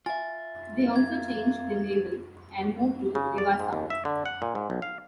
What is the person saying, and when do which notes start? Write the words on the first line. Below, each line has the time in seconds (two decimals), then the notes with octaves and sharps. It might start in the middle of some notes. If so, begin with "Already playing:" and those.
They also changed their label and moved to Riva Sound.
0.06 F4 E5 G#5 A6
0.96 A#3 G#6
3.15 C#3
3.38 D5
3.60 G#2
3.73 D#2
3.90 E5
4.05 D3
4.26 F#5
4.42 A#2
4.55 G#2
4.70 B1
4.82 F5